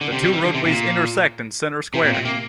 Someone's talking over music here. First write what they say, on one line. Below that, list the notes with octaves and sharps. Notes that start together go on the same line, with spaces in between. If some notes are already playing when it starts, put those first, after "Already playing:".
The two roadways intersect in Center Square.
D3
C3
G3
E3
D3
C3
A#2
C3
A#2
C3
A#3